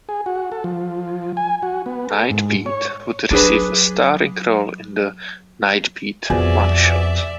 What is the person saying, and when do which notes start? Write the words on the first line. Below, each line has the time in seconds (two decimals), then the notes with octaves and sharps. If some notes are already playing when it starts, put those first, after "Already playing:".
Nightbeat would receive a starring role in the ": Nightbeat" one-shot.
0.09 G#4
0.26 F#4
0.52 A4
0.64 F3
1.37 G#5
1.62 F#4
1.86 B3
2.10 A4
2.31 G#2
2.66 C#5
3.31 F#3 D4 G#4 B4
6.30 F2 B2 F3 G#4 D5 E5